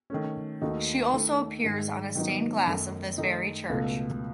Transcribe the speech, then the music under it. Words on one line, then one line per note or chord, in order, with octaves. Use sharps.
She also appears on a stained glass of this very church.
D#3 A3 C#4
D#2 D#3 A3 D#4 F#4
D#3 A3 D#4
G#2 D#3 G#3
D#3 F#3 B3 D#4
F#2 D#3 A3 D#4
D#3 A3 D#4
C#2 B2 A3